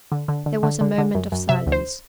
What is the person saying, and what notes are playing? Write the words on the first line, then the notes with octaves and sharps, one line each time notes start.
There was a moment of silence.
D3
D3
D3
D3
D3
D3
F#2
F#2
C3 E5
D2
C5